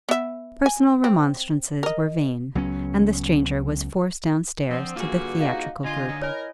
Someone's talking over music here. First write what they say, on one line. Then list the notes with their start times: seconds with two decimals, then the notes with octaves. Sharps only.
Personal remonstrances were vain, and the stranger was forced down stairs to the theatrical group.
0.09 B3 E5
0.66 G#5
1.04 C4
1.83 A#4 D#5
2.55 C#2 F#3 B3 C#4
4.69 D3 F3 C4 F#5
4.96 G2 D3 F#3 A#3 F4 F#4 G#4
5.41 A#3 D#4 D#5 F5 F#5
5.84 D3 F4 D#5 G#5
6.08 F#3 A#3 D#4
6.22 E4 A#4 C#5 D#5 G#5